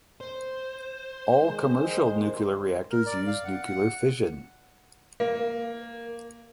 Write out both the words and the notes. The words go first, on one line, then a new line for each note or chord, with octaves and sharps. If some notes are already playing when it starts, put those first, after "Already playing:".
All commercial nuclear reactors use nuclear fission.
C5
D#3 G#3
A#4
D5
F5
F#5
A#3